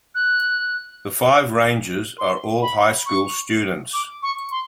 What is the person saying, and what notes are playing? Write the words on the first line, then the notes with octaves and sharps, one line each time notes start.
The five rangers are all high school students.
F#6
C6
B5
C#6
D6
C#6
C6